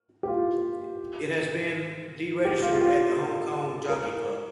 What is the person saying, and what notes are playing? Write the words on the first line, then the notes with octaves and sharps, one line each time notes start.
It has been deregistered at the Hong Kong Jockey Club.
G4
F4
G4
F4
F4
G4
A#4